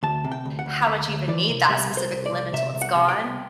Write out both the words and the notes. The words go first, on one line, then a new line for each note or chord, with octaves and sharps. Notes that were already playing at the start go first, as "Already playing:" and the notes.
how much you even need that specific limb until it's gone,
D2 A5
C3
G5
D2
F#5
D2
D2 E5
D2
E3 D5
C3
C2 E5
C2
C5
C2
D5
C2
C3 E5
C2
F#5
C3
G5
C2